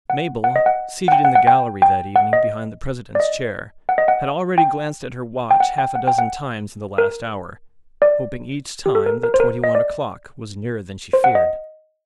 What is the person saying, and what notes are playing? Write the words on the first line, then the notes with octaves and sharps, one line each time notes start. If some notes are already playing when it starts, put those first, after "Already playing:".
Mabel, seated in the gallery that evening behind the President's chair, had already glanced at her watch half-a-dozen times in the last hour, hoping each time that twenty-one o'clock was nearer than she feared.
F#5
F#5
D#5
F#5
F#5
G5
F#5
F#5
G5
G5
F#5
D#5
D5
D#5
F#5
D#5
F#5
G5
G5
F#5
G5
F#5
G5
F#5
A#4
D5
G4
A4
A#4
A#4
C5
A#4
D#5
D5
C5
F#5
D#5